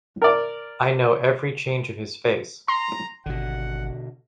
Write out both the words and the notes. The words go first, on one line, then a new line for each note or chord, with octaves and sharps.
I know every change of his face.
A#4 D5
A#5 C6
G#1 B2 D3 F#5